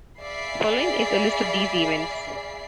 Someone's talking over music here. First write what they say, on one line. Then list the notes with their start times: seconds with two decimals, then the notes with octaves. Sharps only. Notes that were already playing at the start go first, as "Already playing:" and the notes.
Following is a list of these events.
0.21 G#4 D5 E5 F5 B5 C7